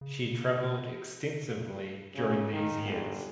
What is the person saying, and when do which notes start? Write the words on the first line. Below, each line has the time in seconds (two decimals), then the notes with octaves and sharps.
She travelled extensively during these years.
0.01 C#3
2.16 C#3
2.52 D#3
2.84 G1